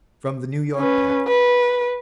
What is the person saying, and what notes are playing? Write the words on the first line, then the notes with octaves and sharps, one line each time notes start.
From the New York Packet.
C#4 B4
B4